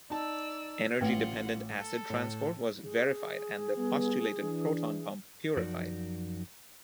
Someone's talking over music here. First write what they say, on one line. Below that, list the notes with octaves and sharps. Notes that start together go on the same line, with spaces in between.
Energy-dependent acid transport was verified and the postulated proton pump purified.
D#4 D5 A5 E6
A1 A3 F4 B4 F#5 G5
A4
A2
G#4
G3 B3
E3 D4
F#2 F3 D#4 F#4 A#4 D5